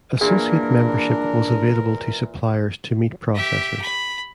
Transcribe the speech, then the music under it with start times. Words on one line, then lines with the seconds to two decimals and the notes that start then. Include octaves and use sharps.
Associate membership was available to suppliers to meat processors.
0.21 A#2 E3 D4 G#4 A#4
3.34 G4 E5
3.81 B5